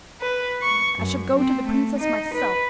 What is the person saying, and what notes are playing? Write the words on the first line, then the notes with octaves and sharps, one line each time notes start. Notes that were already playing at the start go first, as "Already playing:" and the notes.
I shall go to the princess myself.
B4
C#6
F#2
C4
A3
D#4
B4